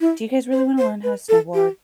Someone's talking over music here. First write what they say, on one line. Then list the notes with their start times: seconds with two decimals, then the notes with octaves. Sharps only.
do you guys really wanna learn how to snowboard?"
0.01 E4
0.52 C5
0.78 C5
1.04 B4
1.29 A4
1.54 G4